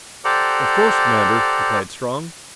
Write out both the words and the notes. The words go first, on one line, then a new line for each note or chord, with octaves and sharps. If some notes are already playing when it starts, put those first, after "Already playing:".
"Of course, Commander," replied Strong.
G4 A4 C5 D5 F#5 A#5